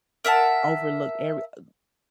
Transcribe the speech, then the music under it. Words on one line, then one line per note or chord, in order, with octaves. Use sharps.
overlooked every, uh
A#4 E5 F#5 A5